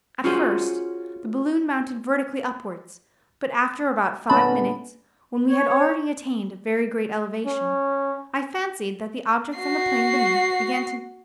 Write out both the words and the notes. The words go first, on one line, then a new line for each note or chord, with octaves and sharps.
At first, the balloon mounted vertically upwards, but after about five minutes, when we had already attained a very great elevation, I fancied that the objects on the plain beneath began to move from under me.
C#4 F4 F#4 G#4 C5
A#2 D3 B3 C#4 A5 B5
C#5
C#4
F#4 C7